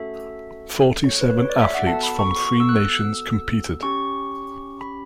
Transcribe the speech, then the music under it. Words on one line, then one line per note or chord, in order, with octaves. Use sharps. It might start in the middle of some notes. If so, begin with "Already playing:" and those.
Forty seven athletes from three nations competed.
Already playing: A3 C#4 F#4 A4 E5
C#5
B4
C#5
D5
E5
F#5
B3 F#4 A4 A5
B5
C#6
C#6
E6
F#6
E6
C#4 G4 C#6
B5